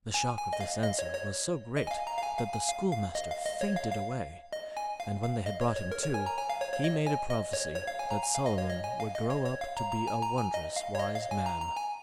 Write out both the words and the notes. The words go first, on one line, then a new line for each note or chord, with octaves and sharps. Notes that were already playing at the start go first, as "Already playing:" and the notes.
The shock of this answer was so great that the schoolmaster fainted away, and when they had brought him to he made a prophecy that Solomon would grow up to be a wond'rous wise man.
G#5
G#5
D#5
F5
D#5
C#5
C#5
D#5
G#5
F5
A#5
F5
G#5
F5
G#5
F5
F5
D#5
F5
D#5
C#5
F5
F5
D#5
G#5
F5
F5
D#5
C#5
C#5
A#4
C#5
G#5
A#5
G#5
F5
C#5
C#5
D#5
G#5
D#5
C#5
C#5
F5
G#5
A#5
G#5
F5
D#5
C#5
D#5
G#5
F5
D#5
C#5
C#5
F5
A#5
A#5
G#5
A#5
G#5
D#5
F5
C#5
D#5
F5
G#5
A#5
A#5
G#5